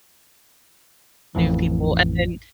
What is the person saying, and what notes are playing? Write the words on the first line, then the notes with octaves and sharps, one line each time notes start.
new people and then
A1 F2 A2 E3